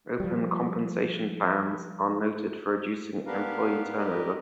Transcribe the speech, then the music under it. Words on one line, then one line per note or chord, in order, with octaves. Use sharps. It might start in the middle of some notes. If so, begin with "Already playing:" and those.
Open compensation plans are noted for reducing employee turnover.
F3 G3
B3 D4 G4 A#4 B4 F5
D#4 G4 A#4 B4 D5 D#5